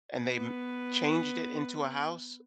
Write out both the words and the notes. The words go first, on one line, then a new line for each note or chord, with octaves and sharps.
and they m changed it into a house?
B3 B4